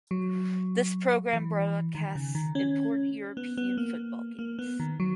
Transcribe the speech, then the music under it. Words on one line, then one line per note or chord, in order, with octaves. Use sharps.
This program broadcasts important European football games.
F#3
E3
D#3
C#3
D#3
C#4
B3
B3
A#3
A#3
B3
D#3
F#3